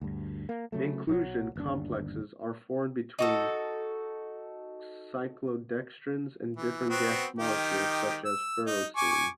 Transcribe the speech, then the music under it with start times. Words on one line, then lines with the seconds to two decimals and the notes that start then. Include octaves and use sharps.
Inclusion complexes are formed between cyclodextrins and different guest molecules such as ferrocene.
0.01 D2 G2
0.49 A#3
0.72 C#3 F#3 A3
1.07 B1 E3 F#3
1.56 G1 D#2 D4
3.19 D#4 F#4 A4
6.57 E3
6.89 B3 C4 F#4
7.39 D#3 D#4 G4
8.25 E6
8.67 D#4
8.96 G#5 C#6 D6